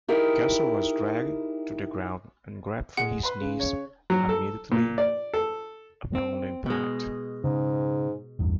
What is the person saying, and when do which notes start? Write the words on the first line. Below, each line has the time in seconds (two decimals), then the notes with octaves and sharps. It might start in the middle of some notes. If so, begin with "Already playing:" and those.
Cassel was dragged to the ground and grabbed for his knee immediately upon impact.
0.08 D#4 E4 G4 G#4 A#4
2.97 G#3 F#5
3.23 B4 C6
3.40 C#3
3.60 C#5
4.10 F#3
4.29 A4
4.72 A#2
4.98 D5
5.34 A4
6.15 C4
6.66 B2 G#3
7.44 G#2 C#3
8.39 A1 E2 G2